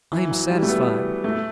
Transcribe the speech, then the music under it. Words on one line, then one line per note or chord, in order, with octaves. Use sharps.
"I am satisfied."
E3
F#3
G3
A3
B3
A3